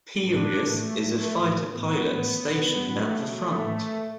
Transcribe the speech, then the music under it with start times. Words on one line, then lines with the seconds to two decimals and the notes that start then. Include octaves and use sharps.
Pirius is a fighter pilot stationed at the front.
0.24 A2 E3 D4
0.62 A2 E3 A3
0.98 A2 F#3 A3
1.36 A2 F#3
1.72 A2 E3 B3
2.10 A2 E3
2.46 B2 F#3
2.83 A2 F#3 A3
3.20 B2 F#3 A3
3.57 A2 E3